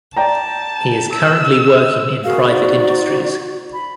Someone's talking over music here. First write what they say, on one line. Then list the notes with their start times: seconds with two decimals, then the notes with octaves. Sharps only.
He is currently working in private industries.
0.17 D5 G5 A5 A#5
1.14 E6
2.23 F#4 G#4 A#4 F5
2.48 D#4 C5 D5
3.73 B5